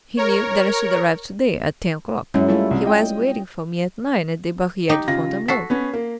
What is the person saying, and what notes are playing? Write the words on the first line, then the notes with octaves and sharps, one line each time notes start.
He knew, that I should arrive to-day at ten o'clock; he was waiting for me at nine at the Barriere de Fontainebleau.
A#4 C#5
F#2 G#3 C#4 E4
G3 A3 E4 F4
C2
D#5 G5
D#4 G4
C#3 F4 A#6
F#4 A4 B6 C7
B3 C#4
A#3